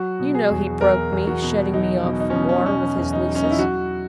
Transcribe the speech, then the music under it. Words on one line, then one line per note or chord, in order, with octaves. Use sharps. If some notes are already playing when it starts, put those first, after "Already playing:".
You know he broke me, shutting me off from water with his leases.
Already playing: F#3 F#4
B2
G#4
E2
E2 A#4
E2
F#4
B2
F#3 D#4
B2
D#4
C#4
B2
C#4
B2 C#4
E2
D#4
F#3
C#4
D#4
E4
F#3 F#4